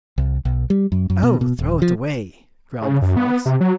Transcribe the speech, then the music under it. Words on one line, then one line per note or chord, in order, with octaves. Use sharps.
"Oh, throw it away!" growled the fox.
C2
B1
G3
F#2
F#2
B2
B2
D#1
F3
C#3
F#2
B3
C3
F#3